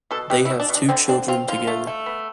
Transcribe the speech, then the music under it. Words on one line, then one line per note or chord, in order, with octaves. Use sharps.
They have two children together.
B2 A4
B2 G4
E4
B2
D4
B2
D4
D3 C4
C4 D4
C4 F4
D3 F4
A3
A3
B3